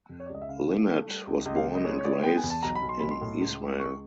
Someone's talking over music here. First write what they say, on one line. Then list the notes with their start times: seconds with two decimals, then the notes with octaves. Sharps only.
Linet was born and raised in Israel.
0.09 F2
0.20 C#5
0.26 D5
0.30 C#2
0.35 D#5
0.42 E5
0.49 C#3 F5
0.68 A3
0.87 A3
1.07 G3
1.27 C#2
1.45 C#2 D#5
1.56 F5
1.66 C#3
1.75 D#5
1.84 G#3 C#5
1.98 C#5
2.04 G#3 D5
2.11 C#5
2.23 B3 G5
2.37 G#5
2.43 E2
2.50 A5
2.63 B1 A#5
2.75 B5
2.82 B1
2.89 C6
3.00 B1 B5
3.11 C6
3.21 A2
3.40 C#2
3.61 C#2
3.79 C#2 C#6